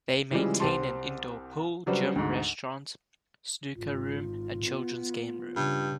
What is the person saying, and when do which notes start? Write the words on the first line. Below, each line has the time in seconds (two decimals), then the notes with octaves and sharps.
They maintain an indoor pool, gym, restaurant, snooker room, and children's game room.
0.31 C#3 E3 F3 G3 G#3
0.60 C2 C4 G4 A5 C6
1.86 C#3 F#3 G3 D4 B4 C5
2.16 D2 G#2
3.76 G#1 F4
4.64 B3
5.56 G2 C#3